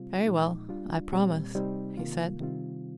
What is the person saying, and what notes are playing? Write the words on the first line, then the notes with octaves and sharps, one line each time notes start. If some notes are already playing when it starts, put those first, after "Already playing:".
"Very well--I promise," he said.
Already playing: C3 G3 C4 F4
A#2 F3 G#3 D#4
G3 D4 F4
A#2 G3 C4
C3 G3 C4 D#4
C3 D#3 A#3 F4
C3 D#3 G3 C4 F4